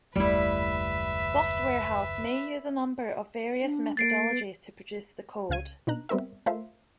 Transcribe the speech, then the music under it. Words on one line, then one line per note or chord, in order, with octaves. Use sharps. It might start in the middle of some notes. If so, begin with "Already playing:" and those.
Software house may use a number of various methodologies to produce the code.
F#1 D#2 G3 A3 E4 B4 E5
D4
A#3 A6 C7 D7
B3
C#2 C#3 F5 G#6 D#7
B2 D4 D#4 A#5 F#6
G3 B3 C4 A#4 E5
A3 F4 A#4 C5 E5 F5